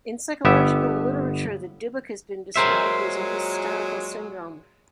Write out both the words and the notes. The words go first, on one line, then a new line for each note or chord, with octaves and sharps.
In psychological literature the Dybbuk has been described as an hysterical syndrome.
G1 B3 G4 E5
A#2 F#3 G#3 A#4 C5 E5